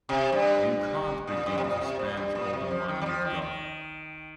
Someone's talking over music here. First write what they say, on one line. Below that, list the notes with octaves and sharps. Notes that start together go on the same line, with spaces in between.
You can't begin to spend all the money you've got.
C3
G2
A#2
G2
C3
A#2
C3
A#2
G2
A#2
C3
F3
D#3
G3
F3
D#3
D#3